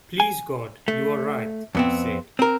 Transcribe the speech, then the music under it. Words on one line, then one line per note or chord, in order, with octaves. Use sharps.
"Please God you are right," he said.
G#5
A3
F2 B3 C4
C4 A#4